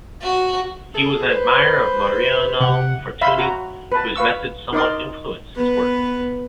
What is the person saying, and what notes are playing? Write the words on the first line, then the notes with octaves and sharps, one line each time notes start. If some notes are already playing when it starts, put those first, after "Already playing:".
He was an admirer of Mariano Fortuny, whose methods somewhat influenced his work.
F#4
G#4 A4
B4 C5
C3 G4 F#5
E5 F5 B5 C6
F#4 A#5
B4 A5
B4 F5 C#6 E6
D#4 A#4 D5 D#5 C6 D6
B3 B4